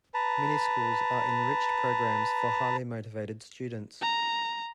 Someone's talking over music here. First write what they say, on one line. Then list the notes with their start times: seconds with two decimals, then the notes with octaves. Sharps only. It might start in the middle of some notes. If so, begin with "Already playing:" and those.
Mini schools are enriched programs for highly motivated students.
0.14 B4 A5 A#5
4.01 A#5